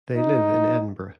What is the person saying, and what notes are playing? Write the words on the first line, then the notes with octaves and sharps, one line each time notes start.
They live in Edinburgh.
D#4